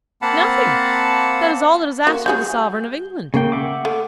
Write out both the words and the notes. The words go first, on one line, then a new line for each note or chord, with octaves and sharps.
Nothing!--that is all that is asked of the sovereign of England.
A#3 C4 F5 F#5 A5 B5
A#3 F#4
G3 F#4 G#4 G6
C#3 A#3 G5
E5 F#5 D6
A3